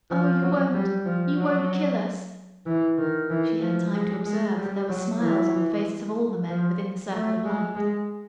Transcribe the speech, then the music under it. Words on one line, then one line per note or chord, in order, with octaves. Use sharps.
"Oh, you won't--you won't kill us?" She had time to observe that there were smiles on the faces of all the men within the circle of light.
F3
F#3
G3
F3
F#3
E3
D#3
E3
F3
G#3
G#3
G3
F#3
E3
F3
A3
G#3
G#3